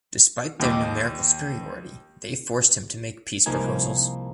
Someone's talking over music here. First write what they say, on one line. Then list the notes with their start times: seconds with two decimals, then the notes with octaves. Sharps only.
Despite their numerical superiority they forced him to make peace proposals.
0.60 D#2 D#5 D6
3.46 C2 F3 A#3 D#4 G#5